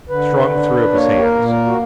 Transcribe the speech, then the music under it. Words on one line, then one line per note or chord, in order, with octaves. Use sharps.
Strong threw up his hands.
D3 B4
D4
A#3 C#5
G4
A#4
A#2
A#4
F#4